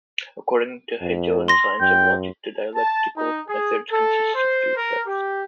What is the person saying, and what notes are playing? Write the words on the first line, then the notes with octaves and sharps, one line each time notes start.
According to Hegel in "Science of Logic", the dialectical methods consists of three steps.
F2
C6 A#6
F#2 G5
A5
D#4
G#4
A4
C5
A#4
G4